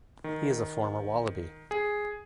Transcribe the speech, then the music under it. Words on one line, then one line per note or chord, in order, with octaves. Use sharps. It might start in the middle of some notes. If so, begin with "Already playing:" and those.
He is a former Wallaby.
D#3
G#4